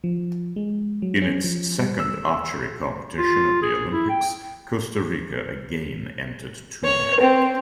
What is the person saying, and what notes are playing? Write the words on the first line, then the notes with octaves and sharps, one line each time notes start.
In its second archery competition at the Olympics, Costa Rica again entered two men.
F3
G#3
F#3
C#4
F3
G3
E6
F4
G#4
E4
G5
C#5
C4